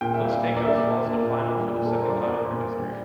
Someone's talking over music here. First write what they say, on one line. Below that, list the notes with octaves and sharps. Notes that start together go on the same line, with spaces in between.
Los Tecos lost a final for the second time in their history.
A#2 G5
G3 E5
F5
A#2
E5
A#3 D5
E5
A#2
A#3
A#3
A#2
A#2
G3
A#2
A4
G3 A#4
C5
G3 D5
A#3
A#2 C5
A#2
G3